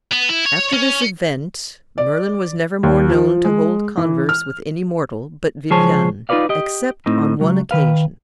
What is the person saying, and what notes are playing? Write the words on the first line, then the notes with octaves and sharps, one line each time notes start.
After this event Merlin was never more known to hold converse with any mortal but Viviane, except on one occasion.
B3
E4
C#5
C#4
D5
D#2
F3
G#3
E3
F6
C#2 F3 G#4 C5 C#5 A5
D#4 F4 A#4 B4 D5 F5
G4 D#5
A2 C4 D#4
C#2 F#3
D#3 B4 F5